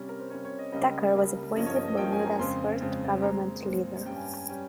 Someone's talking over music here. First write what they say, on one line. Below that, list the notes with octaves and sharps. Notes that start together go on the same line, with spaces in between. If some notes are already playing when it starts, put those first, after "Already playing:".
Tucker was appointed Bermuda’s first Government Leader.
Already playing: C3 G3 C#4
A#4
C5
C3 G3 C#4 C#5
C#5
D#5
C#2 C#3 G3 A#3 D#5
C#2 C#3 G3 A#3
G2 F3 A#3 C#4 D#5
C#5
D#5
D#5
G2 F3 A#3 C#4 G5
G#5
A#5
F2 C#3 G#3 C4 C6
F2 C#3 G#3 C4
A#2 G#3 C4 A#5
A#2 G#3 C4
G2 G3 C#4 G5
G#5
G#5
G#5
G3 C#4 G5